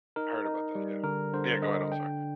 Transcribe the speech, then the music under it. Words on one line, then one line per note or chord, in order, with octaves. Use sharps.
I heard about that, yeah. Yeah, go ahead, I'm sorry.
D#4 A#4
D#4
G3
D3 A#4
D3 C5
D3 D#5
D4 G5